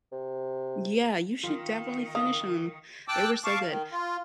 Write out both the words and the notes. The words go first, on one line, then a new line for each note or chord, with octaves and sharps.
Yeah, you should definitely finish 'em; they were so good.
C3
D#3 F4
F5 D#6
G5 A5 D6 E6 F#6
F5 A5 C#6 D6
D#3
F4